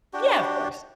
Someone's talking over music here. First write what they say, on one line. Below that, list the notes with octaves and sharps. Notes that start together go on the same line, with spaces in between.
Yeah, of course.
D4 F#4 G4